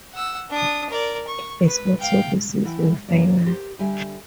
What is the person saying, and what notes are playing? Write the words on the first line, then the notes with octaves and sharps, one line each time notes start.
It is also the season finale.
F#5 E6
D4 D#6
A#4 D5
C#6
B4
F5 G5
E3 E4 F#5 G5
F#2 A#3 C#5 D5
G4 A#4 C5 G5
D3 G3 G4 E5 G#5